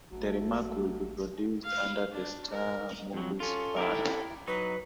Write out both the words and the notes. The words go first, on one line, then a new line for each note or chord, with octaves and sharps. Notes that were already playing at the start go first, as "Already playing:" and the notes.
The remake would be produced under the Staar Movies banner.
A1 F#3 A3
F5
D4
A#4
F2 F#3
C#4 F4 A4
E4 G4 A#4
F#3 D#4 B4